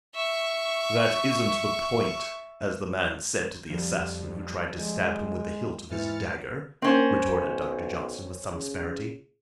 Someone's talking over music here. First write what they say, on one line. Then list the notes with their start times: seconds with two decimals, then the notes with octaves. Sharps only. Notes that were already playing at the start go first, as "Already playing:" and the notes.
"That isn't the point, as the man said to the assassin who tried to stab him with the hilt of his dagger," retorted Doctor Johnson, with some asperity.
0.15 E5 C#6
3.70 F2 F3 G3
4.79 G#3
5.90 G#2 E3 F6 A6 C#7
6.82 A#3 C4 C#4 C5
7.33 B1
8.52 C#3